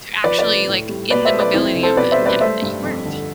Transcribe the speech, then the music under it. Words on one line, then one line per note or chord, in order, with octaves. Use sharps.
To actually, like, in the mobility of the n that you weren't.
F3 B4 D5
B4 D5
A3
A2
G3
B2 B4 D5
C5 E5
A3
B4 D5
F2 C4 E4
F2
A4 C5
B2 B4 D5
C5 E5
G3
B4 D5
A3 C5 E5
G2
F2
D3